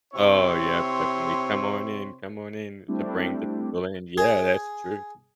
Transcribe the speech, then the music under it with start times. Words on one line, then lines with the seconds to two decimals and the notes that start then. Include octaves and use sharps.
Oh, yep, definitely, "Come on in come on in to bring the people in." Yeah, that's true.
0.13 C3 C4 E4 C#5 C6
2.88 G3 A3 C4 D4 E4 G4
4.18 G#4